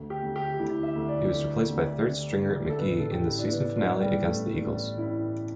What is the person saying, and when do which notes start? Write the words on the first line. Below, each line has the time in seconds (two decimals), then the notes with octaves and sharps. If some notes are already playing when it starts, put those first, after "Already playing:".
He was replaced by third-stringer McGee in the season finale against the Eagles.
Already playing: D2
0.10 G4
0.22 D2
0.36 G4
0.59 D2 E4
0.83 E5
0.96 D2
1.09 D5
1.32 D3
1.69 D2
2.05 D3
2.42 D3
2.70 A4
2.78 A1 B4
2.99 A4
3.11 A1 G4
3.25 E4
3.39 D4
3.51 A1 B3
3.76 D4
3.88 G2
4.01 G3
4.24 A1 A3
4.62 A1
4.97 A1 E4